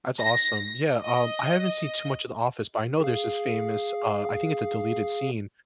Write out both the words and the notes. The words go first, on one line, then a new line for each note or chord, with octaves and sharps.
That's awesome, yeah, um, I haven't seen too much of "The Office," but I know there's this famous, uh, I think it's a deleted scene
A#6
D#5
G#4 F5